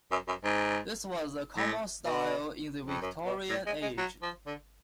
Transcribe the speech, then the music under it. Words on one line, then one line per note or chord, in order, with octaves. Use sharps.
This was a common style in the Victorian Age.
F#2
F#2
G#2
A2
B2
F2
F#2
B2
A2
G#3
G#3
F#3
F3
D3